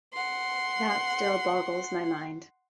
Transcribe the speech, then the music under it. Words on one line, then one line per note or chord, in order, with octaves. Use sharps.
That still boggles my mind.
F#5 C6